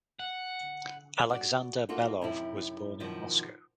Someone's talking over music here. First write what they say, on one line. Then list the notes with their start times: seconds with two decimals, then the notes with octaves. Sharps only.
Alexander Belov was born in Moscow.
0.19 F#5
1.30 F#4 D5
1.89 A#3 D#4 F4 F#4 A4
2.22 F#2 C3 D#4 E4
3.00 F#2 B2 D#3 F3